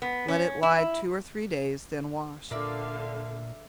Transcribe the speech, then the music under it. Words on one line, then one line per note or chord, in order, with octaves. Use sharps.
Let it lie two or three days, then wash.
B3
C#4
E4
A#2 D3 A#4 D5 E5 F5